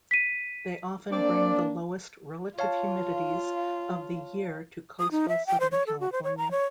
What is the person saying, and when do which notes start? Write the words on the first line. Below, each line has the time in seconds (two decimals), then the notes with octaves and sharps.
They often bring the lowest relative humidities of the year to coastal Southern California.
0.11 B6 D#7
1.11 A#3 C4 D4 D5
2.59 F4 C#5 F5 A5
4.99 D#6
5.11 D#4
5.29 E5
5.47 G5
5.60 C5
5.72 C#5
5.87 A4
6.00 F#4
6.12 C5
6.24 C#5
6.37 A#5
6.51 C#5